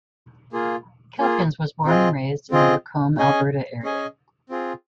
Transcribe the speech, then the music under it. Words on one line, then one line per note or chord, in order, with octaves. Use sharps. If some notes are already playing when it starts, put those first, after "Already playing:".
Calkins was born and raised in the Lacombe, Alberta area.
A#3 F4 G#4
A#3 F4 G#4
C4 F4 G#4 D#5
C4 F4 G#4 D#5
C#4 G#4 D#5 G#5
C#4 G#4 D#5 G#5
C4 F4 G#4